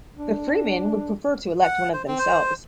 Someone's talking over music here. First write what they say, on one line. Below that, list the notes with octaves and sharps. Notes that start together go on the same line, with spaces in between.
The freemen would prefer to elect one of themselves.
D4
F#5
C5
C4
C5